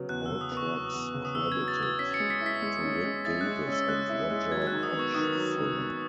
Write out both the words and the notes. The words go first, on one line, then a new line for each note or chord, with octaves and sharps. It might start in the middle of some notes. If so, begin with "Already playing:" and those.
All tracks credited to Rick Davies and Roger Hodgson.
Already playing: C#3 F#3 B3
E2 F#6
C#3 E6
D#6
B3
C#6
F#3
E2
C#3
D#6
B3 E6
G#6
F#3
A6
E2 G#6
C#4 B6
C#7
G#3
B6
E4
B6
G#3
C#4
G#3
E4 A6
F#6
G#3
F#6
C#4 E6
G#3 F#6
E4
G#3
F#3 G#6
G#6
D#3 F#6
D#6
B3
C#6
D#3 D#6
F#3
D#3
B3